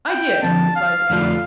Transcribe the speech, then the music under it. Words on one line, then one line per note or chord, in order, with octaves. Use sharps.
"I did," replied the count.
G5
D3 F3 C4 A5
F5
F2 D3 A3 D4 F4 F5